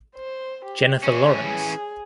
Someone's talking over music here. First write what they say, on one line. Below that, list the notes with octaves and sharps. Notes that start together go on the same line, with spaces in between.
Jennifer Lawrence.
C5
G4
E3 C#4 C#5
G#4